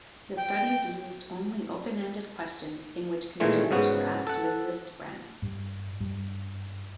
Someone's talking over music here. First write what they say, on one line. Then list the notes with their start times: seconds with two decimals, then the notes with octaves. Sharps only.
The studies used only open-ended questions in which consumers were asked to enlist brands.
0.37 G5
3.40 A#2 D#3 E3 G#3 A3
3.71 G#2 C#3 B3 F#4
4.27 A4 F#5
5.42 G2
6.01 G2